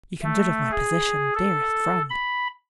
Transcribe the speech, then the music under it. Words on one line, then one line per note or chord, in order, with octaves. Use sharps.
You can judge of my position, dearest friend.
A3
G#4
A4
B5